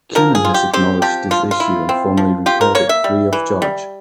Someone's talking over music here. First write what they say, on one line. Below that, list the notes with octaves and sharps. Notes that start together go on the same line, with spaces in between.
Canon has acknowledged this issue and formerly repaired it free of charge.
F3 A#4
G#4
F4
G4
C4 G4
F3 G4
F3 F4
F4
E4
C4
F3
F4 G4
A#4
A#3 C#5
E5
G3
E3
G3